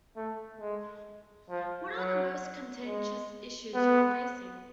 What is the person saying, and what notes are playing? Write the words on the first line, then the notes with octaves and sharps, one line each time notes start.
What are the most contentious issues you are facing?
A3
G#3
F3
F#3
G#3
B3